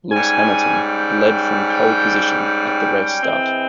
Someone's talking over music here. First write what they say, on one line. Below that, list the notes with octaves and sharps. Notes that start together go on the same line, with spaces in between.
Lewis Hamilton led from pole position at the race start.
G#2 G3 C#4 G#5
G5
G5
G5
E3 G#3 C4